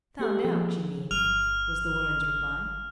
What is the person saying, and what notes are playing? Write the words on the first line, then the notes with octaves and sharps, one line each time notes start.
"Found out, you mean," was the woman's reply.
A#3 G4 A4
F3 G#4
G1 F6 F7